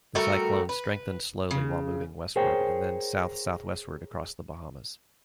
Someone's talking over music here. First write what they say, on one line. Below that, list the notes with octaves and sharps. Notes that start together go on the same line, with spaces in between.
The cyclone strengthened slowly while moving westward and then south-southwestward across the Bahamas.
G3 A3 F#4 A#4
B4
C#3
G#4 A#4 C5 C#5 G5